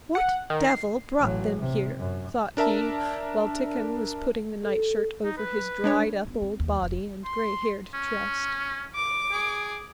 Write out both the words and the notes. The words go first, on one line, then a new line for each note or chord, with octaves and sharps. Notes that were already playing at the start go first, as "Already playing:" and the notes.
"What devil brought them here?" thought he, while Tikhon was putting the nightshirt over his dried-up old body and gray-haired chest.
F#5
D#3
C7
A1 F#3
C3
F#2
D4 A#4 E5 A5
A4
D#4
B4
G#3 D4 C#5
B3
C4
D#2
F1
C6
C#4
D6
G#4